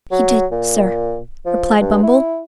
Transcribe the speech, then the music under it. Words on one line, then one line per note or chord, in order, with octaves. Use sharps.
'He did, sir,' replied Bumble.
F#3
A#2
F3
G2
E4